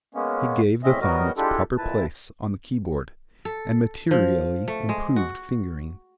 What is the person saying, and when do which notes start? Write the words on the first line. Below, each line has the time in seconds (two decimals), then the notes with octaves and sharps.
He gave the thumb its proper place on the keyboard, and materially improved fingering.
0.15 G#3 A#3 B3 C#4
0.84 E2 A2 C4 C#4 D#5 E5
1.01 F#3 G3 B3 F#4 A#4 D#5
1.37 G#3 D4 E4 F4 G4 A4
1.77 F2 A#2 E4 B4 A5
3.45 A4
4.11 F3
4.68 A3
4.89 G#3
5.16 F#4